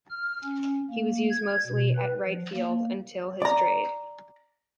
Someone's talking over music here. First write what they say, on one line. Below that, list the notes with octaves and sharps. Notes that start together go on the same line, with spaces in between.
He was used mostly at right field until his trade.
F6
C#4
A#3
G#6
B2
B4
F3
A#3
D5 A#5